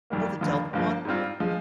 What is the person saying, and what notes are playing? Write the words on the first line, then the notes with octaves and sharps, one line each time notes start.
Oh, the Delta one?
F2 D#3 G3 A#3
F1 D#2 D3 F3
G1 G2 F3 A#3
G#2 G3 C4 F4
F3 G#3